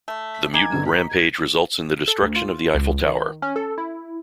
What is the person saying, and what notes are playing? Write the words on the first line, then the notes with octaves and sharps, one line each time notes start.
The mutant rampage results in the destruction of the Eiffel Tower.
A3
B6
D#3 A#3 G#5 D6 G#6
G1 D3
A#5 B6
G#6
A4
D2
F4
C#2
D#3
C#4
A4
E4